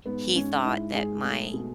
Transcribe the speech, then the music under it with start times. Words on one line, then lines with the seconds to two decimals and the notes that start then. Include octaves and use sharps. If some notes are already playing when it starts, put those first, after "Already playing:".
he thought that my
0.05 G#2 B3
0.35 G#2 C#4
0.64 G#2 E4
0.94 G#2 G#4
1.24 A3
1.54 B2